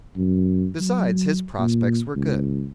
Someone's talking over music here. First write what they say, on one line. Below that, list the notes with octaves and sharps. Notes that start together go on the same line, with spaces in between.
Besides, his prospects were good.
F#2
F#3
A#2
C#2